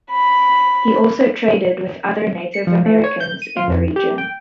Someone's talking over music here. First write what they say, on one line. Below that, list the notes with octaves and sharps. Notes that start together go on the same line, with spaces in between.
He also traded with other Native Americans in the region.
B5
C#7
F3
A3
C#5
G6
D#7
F4
F2
G4
G5